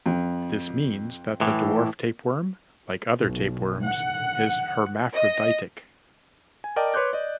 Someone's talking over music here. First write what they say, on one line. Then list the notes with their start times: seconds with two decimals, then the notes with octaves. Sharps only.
This means that the dwarf tapeworm, like other tapeworms is hermaphroditic.
0.06 F2
1.41 A2 E3
3.21 B1
3.85 F#5
5.14 D#5
6.64 G#5
6.76 A#4 D5 D#5 G5 A5 D6
6.94 B4 C#5 C6 D6 F#6 G6
7.13 D5 D#5